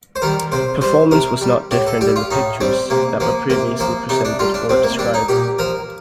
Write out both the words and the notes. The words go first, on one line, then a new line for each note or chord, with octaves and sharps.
Performance was not different in the pictures that were previously presented or described.
C5
D#3 G3 A#4
C3 C5
G3 C5
C3 A#4
G3
A2 G4
A4
G3 G4
F4
A2 D#4
G3 C4
C3 A#3
F3 A#3
C3 A#3
F3 A#3
C3 D#4
D4
G3 F4
D4
C3 C4
A#3
G3 D4
D#4
A#2 G4
F3 A#4